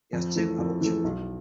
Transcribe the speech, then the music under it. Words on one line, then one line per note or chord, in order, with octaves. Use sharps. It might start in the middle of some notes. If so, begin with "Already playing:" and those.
He has two adult children.
F2
E3 A3
F2
E3 A3
B1